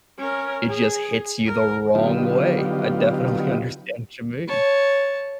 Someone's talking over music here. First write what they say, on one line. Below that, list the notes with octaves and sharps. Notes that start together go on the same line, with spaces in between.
it just hits you the wrong way. I definitely understand what you mean.
C#4 A#4
G#4
A#4
D3 F#3 B3 D#4 F4 G4
C#5 A5